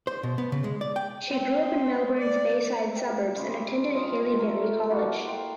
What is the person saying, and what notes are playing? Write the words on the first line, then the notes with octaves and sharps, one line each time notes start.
She grew up in Melbourne’s bayside suburbs and attended Haileybury College.
C5
B2
B3
C#3
G#3
D5
G5
C4
D5
E5 G5
C#3 G3 C5 E5
F3 F4 D#5 C6
A3 A#4
A#3 E4 F#4 A4
C5 G5